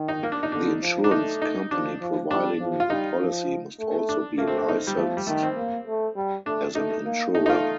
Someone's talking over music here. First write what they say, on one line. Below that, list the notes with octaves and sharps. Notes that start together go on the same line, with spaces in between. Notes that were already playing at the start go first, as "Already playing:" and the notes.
The insurance company providing the policy must also be licensed as an insurer.
Already playing: D#3
D#4
A#3
D4
D#4
D3 D4
F3
D4
A3 D#4
D#4
F3 D4
F3
G3 D4
F3
F4
G3 D#4
F3
A3
D4
A3 A#3
C4
D4
D#4
G3
F3 A3
G3
D#3 A3
C4
A#3
A3
G3
A3 D4
A3 D#4
A#3
A3 D#4
D#4
F4